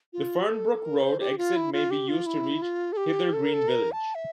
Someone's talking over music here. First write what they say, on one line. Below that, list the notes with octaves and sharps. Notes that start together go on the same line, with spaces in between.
The Fernbrook Road exit may be used to reach Hither Green village.
F4
A4
A#4
C5
G4
F4
E4
F4
G4
F4
E4
F4
A4
G4
A4
A#4
A4
A#4
A5
E5